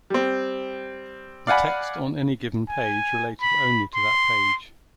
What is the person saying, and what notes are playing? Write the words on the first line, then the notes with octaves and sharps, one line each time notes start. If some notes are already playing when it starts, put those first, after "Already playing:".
The text on any given page related only to that page.
G3 C4
D5 F5 F#5 G#5 B5
G#5
B5
C6